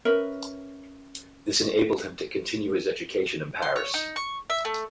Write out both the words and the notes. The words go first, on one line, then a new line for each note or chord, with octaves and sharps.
This enabled him to continue his education in Paris.
C#4 A#4 B4 E5
C6
C#5
D#4
C#6
E5
A3